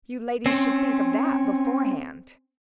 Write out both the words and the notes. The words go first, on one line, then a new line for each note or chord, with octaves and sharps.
"You ladies should think of that beforehand."
C4 C#4